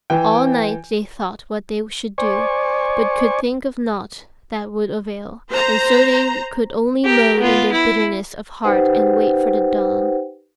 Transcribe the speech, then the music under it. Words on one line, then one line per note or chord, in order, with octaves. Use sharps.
All night they thought what they should do, but could think of nought that would avail, and so they could only moan in their bitterness of heart and wait for the dawn.
E3 G5
C5 D5 G#5 C#6
C5 A#5
G4 A#4
B3 F4
E4
D#4 G4 B4 C5 F#5 G5